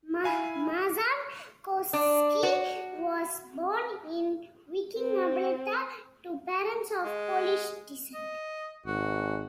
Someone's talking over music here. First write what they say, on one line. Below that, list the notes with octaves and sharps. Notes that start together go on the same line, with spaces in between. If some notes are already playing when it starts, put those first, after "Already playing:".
Mazankowski was born in Viking, Alberta, to parents of Polish descent.
E4 F5 G#5 B5
D4
F#4
C4
G#3
D#5
G#1 F#4